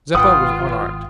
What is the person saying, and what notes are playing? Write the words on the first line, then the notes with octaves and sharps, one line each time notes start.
Zeppa was unarmed.
G#1 F4 B4 F#5 G5 D#6